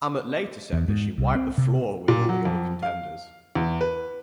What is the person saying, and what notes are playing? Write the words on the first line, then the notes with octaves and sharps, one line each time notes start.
Amott later said that she wiped the floor with all the other contenders.
E2
G#2
C2
C4
C3
A#2
F#3
F2
F5
E2
B4